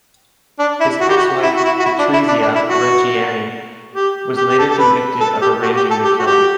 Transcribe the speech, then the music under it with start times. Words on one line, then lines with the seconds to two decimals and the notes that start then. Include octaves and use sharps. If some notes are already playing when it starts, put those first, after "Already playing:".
His ex-wife Patrizia Reggiani was later convicted of arranging the killing.
0.59 D4
0.80 E4
1.01 F#4
1.09 G4
1.16 F#4
1.43 E4
1.56 F#4
1.64 E4
1.79 F#4
1.85 E4
1.99 D4
2.13 E4
2.28 D4
2.42 D4
2.55 E4
2.69 F#4
3.95 G4
4.37 G4
4.48 G4
4.58 A4
4.70 A4
4.78 B4
5.21 A4
5.41 G4
5.62 F#4
5.76 G4
5.91 A4
6.04 G4
6.19 F#4
6.26 G4